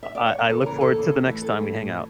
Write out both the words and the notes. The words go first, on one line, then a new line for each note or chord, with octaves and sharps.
I I look forward to the next time we hang out.
E5
D5
C#5
A#4
E2 A4
C#5
C#3 E3 A#3 A#4
E2 A4
C#3 E3 A#3
E2
E3 A3
E2 A4
E3 A3
A2
E3 A3